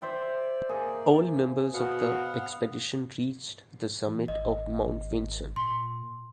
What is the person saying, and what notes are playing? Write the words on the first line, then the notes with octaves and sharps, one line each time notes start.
All members of the expedition reached the summit of Mount Vinson.
C5 D5 E5 G5
A#3 G#4
B2 B3 F5 F#5
E3
G#1 D#5
A#2 C6